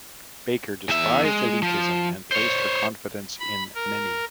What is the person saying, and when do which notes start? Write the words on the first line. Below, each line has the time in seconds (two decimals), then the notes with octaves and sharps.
Baker despised elitism and placed her confidence in many.
0.89 E2 E5
1.25 G#3
1.62 F3
2.32 C5 C#5
3.39 B5
3.75 A#4